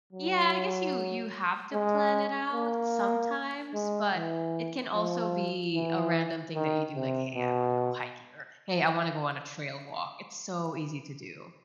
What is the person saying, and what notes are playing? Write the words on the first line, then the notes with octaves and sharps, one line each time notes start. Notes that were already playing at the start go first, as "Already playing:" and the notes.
yeah, I guess you you have to plan it out sometimes, but, it can also be a random thing that you do, like, "Hey, I wanna go hiking," or, "Hey, I wanna go on a trail walk." It's so easy to do.
F#3
G#3
A#3
G#3
E3
F3
E3
D#3
C3
B2